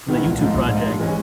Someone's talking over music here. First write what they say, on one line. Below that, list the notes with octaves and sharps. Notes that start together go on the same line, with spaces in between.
for the YouTube project,
D#3 G#3 B3 E4
A#1
G#2 F3
A#1
G#2 F3
G2
E3 G#3 C#4